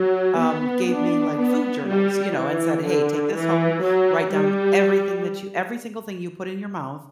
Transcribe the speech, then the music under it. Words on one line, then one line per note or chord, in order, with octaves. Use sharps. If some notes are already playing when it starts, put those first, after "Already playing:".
um, gave me, like, food journals, you know, and said, "Hey. Take this home. Write down everything that you every single thing you put in your mouth.
Already playing: F#3
B3
B3 D4
B3
G3
E3
D3
E3
F#3
G3